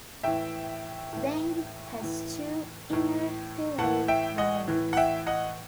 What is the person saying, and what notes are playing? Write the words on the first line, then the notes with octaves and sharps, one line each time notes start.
Dang has two "Inner Terai Valleys".
A2 E3 E5 G5
A2 E3
A2 E3
A2 E3
A2 E3 F#5 A5
E5 G5
D#5 F#5
A2 E3
F#5
E5 G5
D#5 F#5